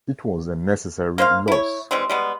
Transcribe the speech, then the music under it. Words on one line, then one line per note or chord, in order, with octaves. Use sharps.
It was a necessary loss.
A#3 C5 E5 F5
E4 C#5
E3 G3 G#3 C4
G3 G#3 B3